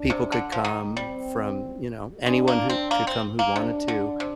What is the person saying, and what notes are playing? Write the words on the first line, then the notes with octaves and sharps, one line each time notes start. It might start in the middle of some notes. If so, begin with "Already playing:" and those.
people could come from, you know, anyone who could come who wanted to
Already playing: D4
C3
D3
F3
D#3
G3 C4
G#3 D4
A#3
C4
A#3
C4
A#3
C3 D4
D3
C3